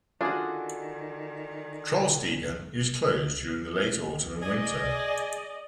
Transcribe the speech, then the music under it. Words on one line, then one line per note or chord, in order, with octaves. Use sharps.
"Trollstigen" is closed during late autumn and winter.
D#3 D4 F4 F#4 G#4 A4 D5 G#5
G#4 D5 D#5